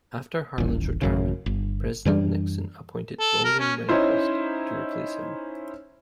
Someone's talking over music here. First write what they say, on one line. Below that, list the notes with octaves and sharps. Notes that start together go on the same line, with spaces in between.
After Harlan's retirement, President Nixon appointed William Rehnquist to replace him.
D#1 A1
A1 F#2 C#3
G1
F#2 E3 G3 D4
A4
A#4
C#4
C#4 D#4 E4 C5